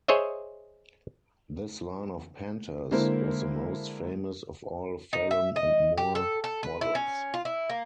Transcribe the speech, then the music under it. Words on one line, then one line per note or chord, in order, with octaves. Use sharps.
This line of Panthers was the most famous of all Phelon and Moore models.
G#4 C5 C#5 D#5 E5
D3 G#3 A#3 E4 A#4 C5
D#4
E5
D#5
G4
A4
A4
B4
E4
C#4
F4
E4
A#3